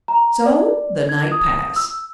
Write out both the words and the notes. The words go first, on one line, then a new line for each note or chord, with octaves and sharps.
So the night passed.
A#5
D5
G#6
D#6
E6